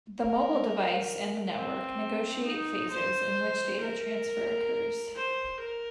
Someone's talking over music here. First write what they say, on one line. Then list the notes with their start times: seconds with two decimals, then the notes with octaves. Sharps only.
The mobile device and the network negotiate phases in which data transfer occurs.
0.21 A#4
1.56 C4
2.45 D#4
2.91 C5
3.81 A#4
5.16 C5
5.60 A#4